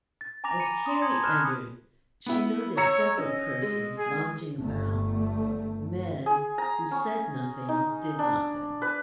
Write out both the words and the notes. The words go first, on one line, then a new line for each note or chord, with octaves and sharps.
As Carrie entered she noticed several persons lounging about--men, who said nothing and did nothing.
A6
G#5 A#5 D6 A#6 F7
B5 D6 C#7 D#7
C6 D#6
A5 C6 D#6 G#6 C#7
B5 F6 F#6 G#6 E7
B3 E4
C#5 A#5 E6 C#7
C#4 D#5
G#3
G#4
G1 A3
G#4
A#5
C#4
D#4
D4
B4